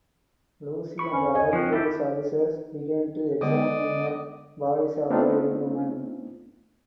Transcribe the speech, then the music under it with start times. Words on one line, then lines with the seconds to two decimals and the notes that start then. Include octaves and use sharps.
Lucy and other police officers begin to examine the bodies of the young women.
0.99 B5 C#6
1.13 C4 C#4
1.35 D#5 G#5
1.53 F3 C4 F#4
1.73 E4 G4 A4
3.41 D3 G#3 B3 D5 D#5
5.10 A3 B3 C4 D4 D#4 F4